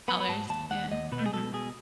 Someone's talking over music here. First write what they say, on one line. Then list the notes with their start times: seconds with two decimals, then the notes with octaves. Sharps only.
dollars, yeah, mhm.
0.08 B3 B5
0.20 B5
0.29 G#2 A5
0.49 D#2 A5
0.70 D#2 F#5
0.91 D#2 D#5
1.12 B2 B4
1.26 G#4
1.33 B2 A4
1.53 B2 G#4